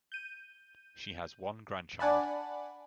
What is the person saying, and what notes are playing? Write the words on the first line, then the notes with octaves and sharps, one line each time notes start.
She has one grandchild.
G6 D#7
D4 D5 F#5 G#5 A5 B5